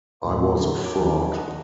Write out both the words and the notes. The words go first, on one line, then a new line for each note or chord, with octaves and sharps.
I was a fraud.
D#2 A2
D3 C#4
F#4 C#5 D6
D#2 D#3 E4
D#5 F#5